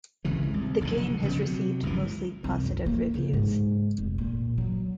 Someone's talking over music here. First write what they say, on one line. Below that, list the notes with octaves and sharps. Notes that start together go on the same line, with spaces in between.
The game has received mostly positive reviews.
G#1 C#2 C#3 E3
C2
F1 B1 A2 D3
F1 C#3 F3 B3
C3 F#3
G1 C#2 D3 E3
C2
F#2
A#3
C#3
G#2
F1
A#2
F#3